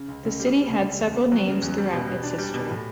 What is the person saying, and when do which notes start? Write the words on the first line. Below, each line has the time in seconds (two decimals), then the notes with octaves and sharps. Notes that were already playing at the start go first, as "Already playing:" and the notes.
The city had several names throughout its history.
Already playing: C#3
0.08 C#2
0.25 C#2
0.39 G3
0.55 C#3
0.70 C#2
0.85 C#3
1.01 E2
1.16 B3
1.32 F#3
1.47 C#3
1.62 E2
1.78 G3
1.93 B2
2.08 B2
2.23 D4
2.38 G3
2.54 B2
2.70 A2